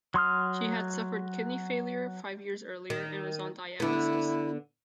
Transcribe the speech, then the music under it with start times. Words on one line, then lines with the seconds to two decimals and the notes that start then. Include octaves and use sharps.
She had suffered kidney failure five years earlier and was on dialysis.
0.14 F#3 C6 D#6 F6
2.90 D#3
3.80 D3 B3 E4